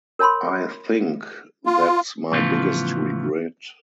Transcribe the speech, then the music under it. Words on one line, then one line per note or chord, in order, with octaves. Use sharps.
I think that’s my biggest regret.
A#4 C#5 A5 B5 C6
F4
A2 C#3 E3 F3 B3 F4